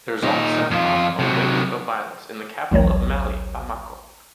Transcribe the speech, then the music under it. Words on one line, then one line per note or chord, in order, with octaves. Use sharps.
The result set off a wave of violence in the capital of Mali, Bamako.
A#2 D#4
F2 F4
C3 F#3
A1 D2 F#3 C#5